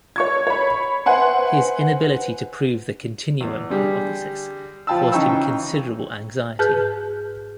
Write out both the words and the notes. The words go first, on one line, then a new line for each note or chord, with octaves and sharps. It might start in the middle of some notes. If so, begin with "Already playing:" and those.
His inability to prove the continuum hypothesis caused him considerable anxiety.
C#5 C#6 G#6
C#5 B5
B4 C5 E5 F#5 G#5 C6
E2
D3 G3 G#4
F3 F5 G5 A5 B5 E6
C#3 E3 D#4 G5 C#6 E6
G#2 G#4 B4 F6 G6